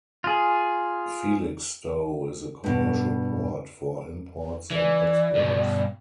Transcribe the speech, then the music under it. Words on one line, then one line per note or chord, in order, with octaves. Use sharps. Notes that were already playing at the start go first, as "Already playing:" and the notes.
Felixstowe is a commercial port for imports and exports.
F4 G#4
G2 B2
E3 D5
G2 B2